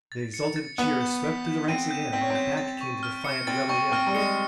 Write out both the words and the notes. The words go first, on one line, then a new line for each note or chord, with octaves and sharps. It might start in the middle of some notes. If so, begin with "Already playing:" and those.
The exultant cheer swept through the ranks again, and back came the defiant rebel yell.
A6
C#7
A6
B3 D#7
G6
B6
G6
C4 D#7
G6
C4 B6
C#4
C4
G6
A6
C#6
F6
C#7
C4 A6
C4 C#6
C4 F6
G3
G#3 C#7